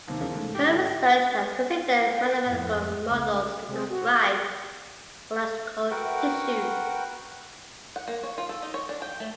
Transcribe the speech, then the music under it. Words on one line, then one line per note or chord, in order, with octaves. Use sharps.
Her research has considered mathematical models to describe biological tissue.
D#2 C3
E2 C#3 A#3
G#2 A3
G4
D3 A5
G5
F2 A2
C#2 A2
C3 G#3 C4
F#4
F#4 A#4 B4 F#5 G5
F#5
A#3
C#5
F4
A4
D#4
C#5
D4
G5
A3